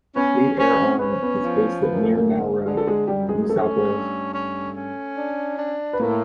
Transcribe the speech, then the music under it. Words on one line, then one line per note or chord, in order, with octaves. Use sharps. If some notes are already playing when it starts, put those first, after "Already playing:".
The Fleet Air Arm is based at near Nowra, New South Wales.
B3 C#4 B4
C#4 C5
B4
C4 C5
C#4 B4
C5
B3 B4
F3
F#2 B4
A#4
A4
A#3 A#4
D3
D3 G#3 G#4
A4
G#3 G#4
F#2 G3 G4
G#3 G#4
G#4
A3 C#4 A4
G2
C#4
C#4
D4
D4
B4
A2 A#3 A#4